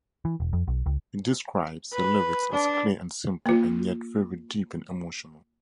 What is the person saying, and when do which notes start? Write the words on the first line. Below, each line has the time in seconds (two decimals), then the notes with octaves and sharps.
He describes the lyrics as clear and simple and yet very deep and emotional.
0.25 E3
0.40 E1
0.53 F2
0.68 B1
0.86 C#2
1.93 B4
2.52 D4
3.46 A#3 F4